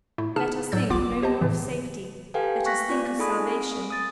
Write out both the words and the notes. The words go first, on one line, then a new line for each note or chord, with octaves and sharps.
Let us think no more of safety--let us think of salvation.
A2 A3 E4
C#3 D#4 G#4 A5 F6 E7
A2 F#3 E6 G6 A6
G1 C2 B3 F4 D6
G4 C5 D#5 A5
A2 C#3 E3
G4 A4 B4 F5 G5 G#5
C#6 F#6 A#6 B6
B3 F4 D5
D#4 G#4 A4 G#5 B5 D#6
C4 D7
D#6 A6